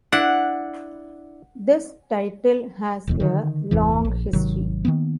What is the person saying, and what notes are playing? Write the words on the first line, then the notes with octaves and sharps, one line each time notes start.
This title has a long history.
D4 E4 F#5
D1 E2 B2
D3 D#3
G1 E2 C3 E3
A#1
G#1 C3 D#3 F#3
D#3 F3 A#3 B3